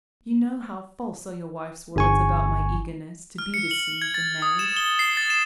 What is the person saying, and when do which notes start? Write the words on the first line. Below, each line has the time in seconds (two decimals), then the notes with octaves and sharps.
You know how false are your wife's words about my eagerness to be deceived and married.
1.96 G1 G#5 C#6
3.38 F6
3.54 C#7
3.71 F#7
4.02 G#6
4.14 A6
4.42 D#6
4.59 E7
4.77 G7
4.99 C7
5.17 A6
5.30 E7